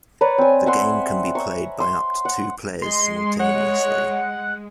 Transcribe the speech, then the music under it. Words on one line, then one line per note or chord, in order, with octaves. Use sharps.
The game can be played by up to two players simultaneously.
B4 C#5 D5 A#5
C4 G#5
E5 F#5 C6
A#5 C#6
C6
F#5
G#3 C6
C#5 F#5